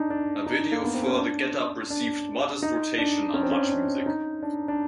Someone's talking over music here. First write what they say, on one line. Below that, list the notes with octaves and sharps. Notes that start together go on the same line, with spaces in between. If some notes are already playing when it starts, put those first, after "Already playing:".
A video for "The Get Up" received modest rotation on Much Music.
Already playing: D4 D#4
D4
D#4
A#3
B3
C4
C#4
D4
D4
D#4
D4
C#4
C4
C#4
D4
D#4
D4
D4